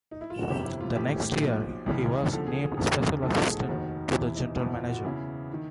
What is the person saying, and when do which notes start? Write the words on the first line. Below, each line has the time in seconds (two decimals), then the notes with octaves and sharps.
The next year, he was named special assistant to the general manager.
0.11 D#4
0.21 E4
0.30 F4
0.40 F#4
0.50 G1 F2 C3 G4
0.65 E4
0.81 F4
0.95 A#1 A2 E3 G4
1.18 G4
1.41 B1 A#2 F3
1.86 C#2 C#3 E3
2.32 D#2 D3 F3 A4
2.47 G#4
2.62 G#4
2.77 E1 D#2 C#3 A4
3.23 B1 A2 F3 A4
3.34 A4
3.45 G#4
3.57 F#4
3.68 F1 D#2 D#3 F#4
4.13 E2 C3 E3 E4
4.36 D#4
4.59 F#1 E2 B2 E4
4.74 F4
4.89 F#4
5.04 E2 C#3 E3 E4
5.53 D#3